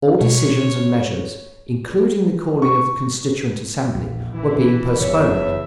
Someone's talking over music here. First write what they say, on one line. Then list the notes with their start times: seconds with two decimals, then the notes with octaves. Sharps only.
All decisions and measures, including the calling of the Constituent Assembly, were being postponed.
0.21 B2 C#5
2.62 C#6
3.95 A#1 E2 A#2
4.34 A#2 E3 E4
5.01 F#1 E2 A2 C#3 C#5 E5